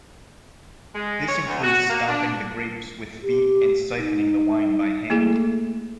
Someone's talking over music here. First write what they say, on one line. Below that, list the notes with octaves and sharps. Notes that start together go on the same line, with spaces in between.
This includes stomping the grapes with feet and siphoning the wine by hand.
G#3
C#5
D2
F#4
A#3
D4
G4
D#4
A3 A#3 E4 G#4